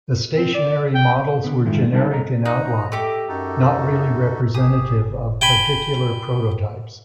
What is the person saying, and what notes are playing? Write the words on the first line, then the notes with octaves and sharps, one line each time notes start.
The stationary models were generic in outline, not really representative of particular prototypes.
C4
D5
G5
D3 B3
G2 D#3 G#3 A3 F4
D3 G3 D#4 A#4 E5 A5
A4 D#5 A#5
D#4 A#5 F#6
A3 G4 D#5 D6
F#2 D#4 F#4 A4
G4 G#4 D#6
G5 G#5 B5